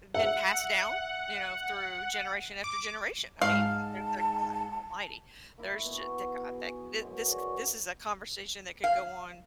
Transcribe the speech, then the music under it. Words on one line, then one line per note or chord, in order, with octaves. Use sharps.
eh, been passed down, you know, through generation after generation? I mean, they're they're god almighty. There's j thank god that thi this c this is a conversation that could go on
E5 F#5
D6
G#2 F5 A5
A#3 E4 A#5 C#6
B2 B3 F#4 G#5
G#4
F#2 B2 C6
F#4 G#4 D5
F5